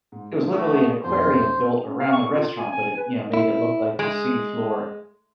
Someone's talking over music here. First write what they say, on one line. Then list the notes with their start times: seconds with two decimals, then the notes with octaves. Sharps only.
it was literally an aquarium built around the restaurant, but it, you know, made it look like the seafloor.
0.12 G#2
0.32 G#3 A#3 D4
0.53 A3 F#4 A4 D#6
1.03 B1 F2 F3 C5
1.85 C#4
2.00 F5
2.13 C#6
2.32 F4
2.58 G#5
2.72 G#5
2.97 B4
3.34 E4
3.99 G#3